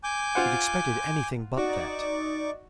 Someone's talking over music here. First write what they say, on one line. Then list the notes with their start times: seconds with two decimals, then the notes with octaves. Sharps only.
He had expected anything but that.
0.04 G#5 D6 G6
0.35 F4 C5 F#5
1.57 D#4 F#4 D5 C#6 D6